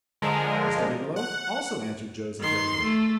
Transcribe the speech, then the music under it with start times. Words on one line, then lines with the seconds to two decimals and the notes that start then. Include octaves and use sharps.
Mr. Biggielow also answered Joe's interrogation.
0.22 D3 F3 G#3 A#4
1.16 F#5
2.40 D#3 C6
2.82 A3